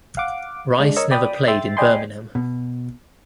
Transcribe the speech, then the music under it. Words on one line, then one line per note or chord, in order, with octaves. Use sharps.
Rice never played in Birmingham.
F5 F#5 D6
G#3 D4
A#4 C#5 D#5 C#6 E6
D5 G5 B5 D#6
E5 G5 C6 A6
D5 D#5 G5 G#5 B5 C6
B2